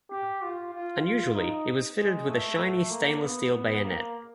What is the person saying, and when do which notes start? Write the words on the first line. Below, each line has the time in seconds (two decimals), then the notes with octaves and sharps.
Unusually, it was fitted with a shiny stainless steel bayonet.
0.11 G4
0.43 F4
0.74 F4
1.04 F4
1.35 D#4
1.97 G#3
2.28 A3
2.59 A3
2.90 A#3
3.21 B3
3.52 B3
3.84 A#3